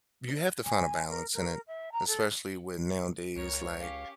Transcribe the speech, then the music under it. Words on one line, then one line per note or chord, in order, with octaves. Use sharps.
you have to find a balance in it, especially with, nowadays, like,
G#5
A#4
A#4
E5
A#5
A4
C#2 A#4 C#5
C#4 G4 F5